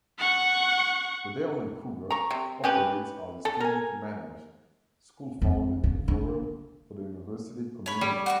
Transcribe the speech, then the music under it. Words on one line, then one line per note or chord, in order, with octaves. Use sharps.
"The Daily Cougar" operates as a student-managed, school-funded forum for the university community.
F#5 C#6
A#5 C#6
C3
C#4 G4 B4
A4
A#4 G#5
F2
C#3
D3
C#5 B5
G3
F#4 C6 C#6